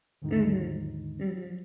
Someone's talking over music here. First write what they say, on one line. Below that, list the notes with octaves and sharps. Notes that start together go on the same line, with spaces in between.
Mhm, mhm.
D#2 G#2 D3 D#3 G#3 D#4